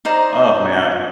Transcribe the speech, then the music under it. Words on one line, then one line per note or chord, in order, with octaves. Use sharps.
Oh, man.
D#4 C5 D5 A#5